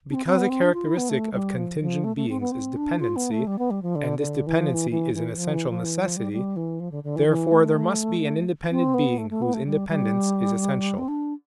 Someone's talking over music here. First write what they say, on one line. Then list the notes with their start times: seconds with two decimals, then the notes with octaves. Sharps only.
Because a characteristic of contingent beings is dependency, and this dependency is an essential necessity, therefore, there must be an independent being whose independence is essential.
0.10 D4
0.14 C4
0.26 C4
0.38 B3
0.50 C4
0.62 D4
0.74 F4
0.86 E4
0.97 B3
1.09 A3
1.33 G3
1.57 F3
1.81 F3
2.04 A3
2.16 A3
2.29 C4
2.40 B3
2.52 C4
2.77 D4
3.00 F4
3.16 B3
3.31 A3
3.47 G3
3.59 B3
3.71 G3
3.82 F3
3.96 D3
4.19 D3
4.47 E3
4.59 F3
4.74 E3
4.91 E3
5.14 E3
5.37 F3
5.54 E3
5.70 F3
5.85 E3
6.00 F3
6.17 G3
6.33 G3
6.56 E3
6.80 F3
6.92 D3
7.04 D3
7.16 E3
7.28 E3
7.51 A3
8.71 C4
8.94 B3
9.18 A3
9.30 A3
9.42 B3
9.54 A3
9.66 G3
9.89 G3
10.98 C4
11.08 D4